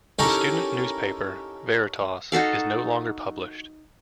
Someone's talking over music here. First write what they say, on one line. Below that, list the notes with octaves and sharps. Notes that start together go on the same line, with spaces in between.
The student newspaper, Veritas, is no longer published.
C#4 D#4 E4 G4 A4 A#4
D#4 F#4 A4 F5